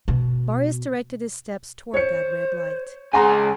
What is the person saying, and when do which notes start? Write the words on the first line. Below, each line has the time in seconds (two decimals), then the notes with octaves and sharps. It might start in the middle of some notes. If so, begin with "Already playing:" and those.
Marius directed his steps towards that red light.
0.08 B2
1.94 C5 C#5 C#7
3.14 C#2 G#4 F#5 G#5 A#5 C6